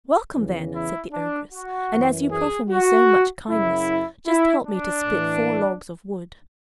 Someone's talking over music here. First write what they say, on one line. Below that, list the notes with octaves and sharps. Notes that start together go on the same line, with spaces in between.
"Welcome, then!" said the ogress; "and as you proffer me so much kindness, just help me to split four logs of wood."
E2 C#3 E3
E4
D4
F#4
F#2 E3
G#4
F#4
F#2 C#3 F#3 E4
E4
D4
A2 E3